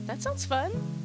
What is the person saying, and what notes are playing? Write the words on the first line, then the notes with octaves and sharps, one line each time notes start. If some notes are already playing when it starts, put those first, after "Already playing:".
That sounds fun.
Already playing: B2 G#3
F#2
C#3 E3 G#3